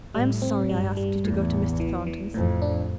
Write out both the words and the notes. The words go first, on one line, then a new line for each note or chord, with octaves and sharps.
'I am sorry I asked you to go to Mr. Thornton's.
A2 G3
C4
G2 G3
G3
E2 A2
A1
E3
E3
F2 A2
D4